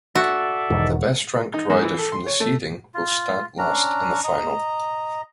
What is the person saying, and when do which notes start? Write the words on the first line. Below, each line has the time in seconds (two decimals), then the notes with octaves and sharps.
The best ranked rider from the seeding will start last in the final.
0.15 F#4 A4 D5 E5
0.70 E1 G#2 D#3
1.54 D#4
1.70 G#2
1.83 E3
1.98 A4
2.12 C6
2.26 C#5
2.40 A3
2.94 F4
3.58 C#4 D4 A#5
4.24 D#5 A#5